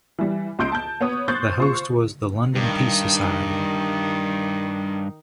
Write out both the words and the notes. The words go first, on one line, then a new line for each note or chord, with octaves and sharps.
The host was the London Peace Society.
E3 G3
C#2 C6 G6 D7
A5 G6
B3 C#5 D#6
C5 C#6 F#6 G6 A6
F4 C5 C#6
G2 D#3